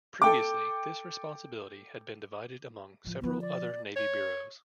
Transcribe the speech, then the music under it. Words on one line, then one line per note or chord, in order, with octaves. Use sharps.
Previously, this responsibility had been divided among several other navy bureaus.
A4 G5 D6
A2 F3
D3 F3 B3
D5
C#5